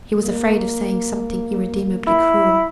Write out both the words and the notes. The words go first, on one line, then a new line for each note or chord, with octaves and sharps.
He was afraid of saying something irremediably cruel.
A#3
E4